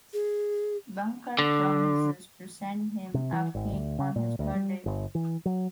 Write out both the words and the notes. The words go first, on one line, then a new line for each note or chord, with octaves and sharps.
Bunker promises to send him a cake on his birthday.
G#4
D3
C3
E3
G#1
D2
C#3
A#2
D2
G3
G1
E3
F#3